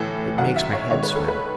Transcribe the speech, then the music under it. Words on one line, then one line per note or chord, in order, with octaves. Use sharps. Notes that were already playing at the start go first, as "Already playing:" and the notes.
"It makes my head swim."
Already playing: A2 E3 A4
F#2 D#3 F#5
E5
C#5
G#2 D#3 C#5
B4
A4
B4